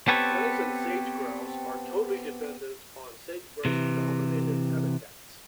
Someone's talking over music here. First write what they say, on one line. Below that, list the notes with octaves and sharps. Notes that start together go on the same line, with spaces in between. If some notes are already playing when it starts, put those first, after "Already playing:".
Gunnison sage-grouse are totally dependent on sagebrush-dominated habitats.
B3 C4 G4 A4 B4 C#5
C3 E3